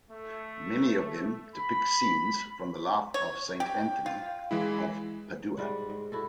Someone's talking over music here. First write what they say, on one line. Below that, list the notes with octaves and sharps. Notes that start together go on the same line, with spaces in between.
Many of them depict scenes from the life of Saint Anthony of Padua.
A3
B5
C#5
G4 G5
F4
E3 G#3 E4
G#2 G3 F#5
G#2
E4 F#4 A4